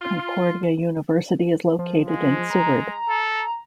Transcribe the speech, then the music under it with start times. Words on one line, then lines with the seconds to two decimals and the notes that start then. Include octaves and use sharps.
Concordia University is located in Seward.
0.01 F4
1.79 F3
2.08 G#3
2.50 A#5
3.09 A4